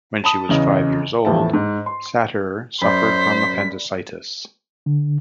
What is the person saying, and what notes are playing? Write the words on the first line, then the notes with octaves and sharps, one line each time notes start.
When she was five years old, Satir suffered from appendicitis.
A5 B5 D#6
E2 C#3 D#5
E2 A2 F3 E4 A5
G#2
C6
F#2 C5 D5 B5 B6
D3